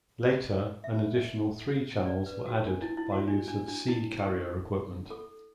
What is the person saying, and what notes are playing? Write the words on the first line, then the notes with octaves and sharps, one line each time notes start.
Later, an additional three channels were added by use of C Carrier equipment.
D5
E5
D5
B4
F#4
D4
E4
E4
F#4
D4
D4
D4
E4
G4
A4